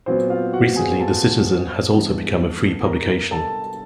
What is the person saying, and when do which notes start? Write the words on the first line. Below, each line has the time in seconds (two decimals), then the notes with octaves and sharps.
Recently, the Citizen has also become a free publication.
0.06 A#2 F#3 B3 C4 C5
0.30 F4 F5
0.53 F#4 F#5
0.76 G#4 G#5
0.99 A4 A5
1.92 G2 E3 G#3 B3
2.84 A#4 A#5
3.31 A4 A5